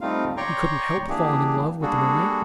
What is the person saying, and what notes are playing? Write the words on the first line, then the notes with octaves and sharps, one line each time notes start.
"He couldn't help falling in love with the mermaid."
G3 A3 C4 D#4 F4 F5
C#5 D5 G5 A#5 C6 C#6
E3 A#3 D4 G4 G#4
G3 A#3 D4 F#4 G#4 A4